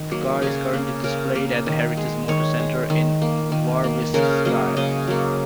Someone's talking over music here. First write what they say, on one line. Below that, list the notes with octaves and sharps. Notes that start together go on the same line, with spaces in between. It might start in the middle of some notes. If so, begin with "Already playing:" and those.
The car is currently displayed at the Heritage Motor Centre in Warwickshire.
Already playing: D#3
F#3 A#3
C#3 G#4
A#3
C#3 A#4
A#3
D#3
G#3
D#3 C#5
G#3
D#3
A#3
D#3
A#3
C#3 A#4
F#3 A#3 D#5
C#3 D#5
F#3 A#3